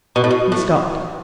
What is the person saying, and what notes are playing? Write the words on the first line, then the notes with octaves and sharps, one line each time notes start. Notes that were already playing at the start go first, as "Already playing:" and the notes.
He stopped.
B2
A2
B2
A2